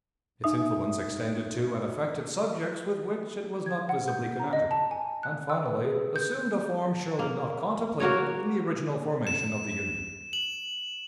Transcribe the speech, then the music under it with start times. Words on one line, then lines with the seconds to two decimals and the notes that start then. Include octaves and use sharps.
Its influence extended to and affected subjects with which it was not visibly connected, and finally assumed a form surely not contemplated in the original formation of the Union.
0.44 D#4 E5 D#6
3.66 G#6
3.89 F#5
4.08 G6
4.40 A#5
4.53 D#5
4.71 A5
4.91 G#5
5.23 F#6
5.50 E6
5.66 B4
5.84 G#4
6.16 G6
7.19 A#3
8.00 A#3 F#4 A#4 C#5
9.27 E7
10.33 F#7